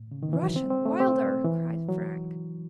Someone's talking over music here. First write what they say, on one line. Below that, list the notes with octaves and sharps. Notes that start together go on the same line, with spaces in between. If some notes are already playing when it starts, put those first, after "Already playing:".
"Rush & Wilder!" cried Frank.
Already playing: A2
C#3
D#3
E3
F#3
C4
C4
A3
C4
E3
F#3